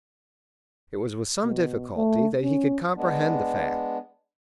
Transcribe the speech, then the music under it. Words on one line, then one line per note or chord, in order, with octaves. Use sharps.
It was with some difficulty that he could comprehend the fact.
B2
A3
C#4
G#3 B3 D4